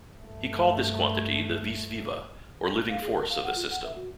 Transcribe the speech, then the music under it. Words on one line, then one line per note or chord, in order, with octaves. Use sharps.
He called this quantity the "vis viva" or "living force" of the system.
G2 A3
F5
G#4
A#4
F5
F#5
F4
F#5
E5
F#4